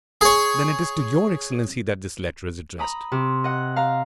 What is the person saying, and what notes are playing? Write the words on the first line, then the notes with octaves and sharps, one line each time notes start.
"Then it is to your excellency that this letter is addressed."
G#4 C#5
A#5 B5 D#6
C3
D#5 F#5
F5 A#5